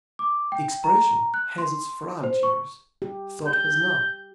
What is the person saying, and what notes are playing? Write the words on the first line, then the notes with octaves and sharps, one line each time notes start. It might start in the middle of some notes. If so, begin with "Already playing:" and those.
Expression has its frontiers, thought has none.
D6
G5
A#5
F#6
C6
C5
C#6
G4
G6